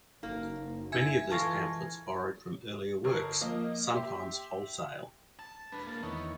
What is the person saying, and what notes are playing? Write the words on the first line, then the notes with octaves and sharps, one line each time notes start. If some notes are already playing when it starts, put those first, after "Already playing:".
Many of these pamphlets borrowed from earlier works, sometimes wholesale.
F#1 A#3 D#4
E4 G#5 G#6
E3 G#3 F4 A4 A5 C#6 A#6
G1 A#4 E6
F3 A#3 D#5
G4 E5 C6
A5
G#3 D4 B4
A#3 A5
E2 D#3 B3 C#5